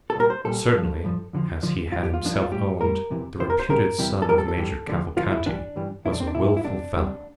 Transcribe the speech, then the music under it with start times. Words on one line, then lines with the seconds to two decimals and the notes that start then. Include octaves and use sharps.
Certainly, as he had himself owned, the reputed son of Major Cavalcanti was a wilful fellow.
0.10 A4
0.15 C2 A#2 G3 A#4
0.30 C5
0.44 C2 A#2 G3 A4
0.74 G2 F3
1.04 G2 F3
1.33 F2 D3 F3
1.63 F2 D3 F3
1.92 G2 F3 F4
2.03 G4
2.14 F4
2.22 G2 F3 D4
2.34 E4
2.42 F4
2.51 A2 G3 G4
2.81 A2 G3 A#4
3.10 F2 C3 E3
3.40 F2 C3 E3 C5
3.50 A#4
3.60 C5
3.69 E2 C3 E3 G3 A#4
3.98 E2 C3 E3 G3
4.22 A4
4.28 G2 E3 G3 A#4
4.38 A4
4.48 A4
4.58 G2 E3 G3
4.87 D2 D3 F3
5.17 D2 D3 F3 F4
5.31 E4
5.46 G2 E3 G3 D4
5.76 G2 E3 G3
6.05 C2 A#2 F3 E4
6.12 D4
6.20 C4
6.27 D4
6.35 C2 A#2 F3 E4
6.57 E4
6.64 E2 C3 G3 D4
6.94 E2 C3 G3